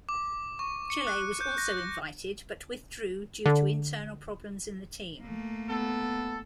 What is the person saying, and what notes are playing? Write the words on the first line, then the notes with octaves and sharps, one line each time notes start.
Chile was also invited but withdrew due to internal problems in the team.
D6
C#6
C#7
F#6
G6
A#6
D3
A3 A#3
B3 A4